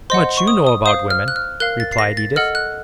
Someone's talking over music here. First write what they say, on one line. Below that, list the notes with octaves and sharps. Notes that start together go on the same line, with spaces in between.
"Much you know about women," replied Edith.
C5 D#5 F#5 C6
C#6
D#6
D#6
C5 F5 D#6
F6
F#6
F6
A#4 F5 F#6
A6
C7
A#6
A6
A4 D#5 F#5 F6
F#6